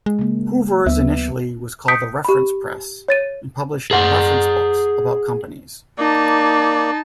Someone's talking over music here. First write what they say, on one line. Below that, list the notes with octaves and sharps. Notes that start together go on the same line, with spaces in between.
Hoover's initially was called The Reference Press and published reference books about companies.
G#3
C#3 A#3
D2 F#3 B3 E5
D#6 G6 B6 C#7 D7
G4 B5
C#5 A6 D#7
G#4 F#5
A#3 D#4 D5 A5